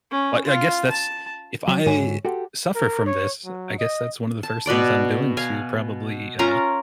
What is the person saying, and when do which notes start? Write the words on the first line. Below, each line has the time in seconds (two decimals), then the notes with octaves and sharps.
I I guess that's if I suffer from this, I guess that's one of the first things I'm doing to probably, uh,
0.11 C#4
0.45 F4
0.89 A5
1.68 F#3
1.86 G#2 D3 F#4 C#5 G#5
2.25 F#4 G4 A4 C5
2.75 A#4
3.06 C#5
3.45 F#3
3.79 D#5
4.43 A5
4.66 B2 B4 D5 G5
5.37 F5 G#5
6.39 C#4 F4 A#4 A#5